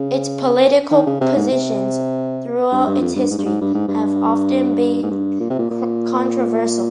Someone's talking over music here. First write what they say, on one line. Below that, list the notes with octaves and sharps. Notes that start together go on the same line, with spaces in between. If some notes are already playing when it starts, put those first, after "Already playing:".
Its political positions throughout its history have often been controversial.
Already playing: C#3
D#3
C#3
C3
G#2
C3
G2
G2
F2
G2
G#2
G2
G#2
G2
G#2
G2
G#2
G2
A#2
C3
A#2
A#2